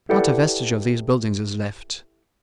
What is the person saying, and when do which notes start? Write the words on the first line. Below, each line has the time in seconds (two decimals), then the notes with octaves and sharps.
Not a vestige of these buildings is left.
0.09 E4 G4 A4 B4 D5 F#5